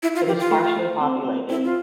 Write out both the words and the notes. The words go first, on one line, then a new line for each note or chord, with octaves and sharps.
It is sparsely populated.
E4
F4
F3 G4
F4
A3
A3
C4
C4
C4 E4
F4